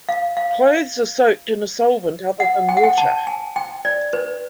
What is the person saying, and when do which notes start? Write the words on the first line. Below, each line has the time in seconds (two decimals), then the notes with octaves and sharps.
Clothes are soaked in a solvent other than water.
0.09 F5
0.37 F5
2.40 F#5
2.69 G5
2.77 F#5
2.83 G5
2.98 A5
3.27 G#5
3.56 G5
3.85 D5
4.13 B4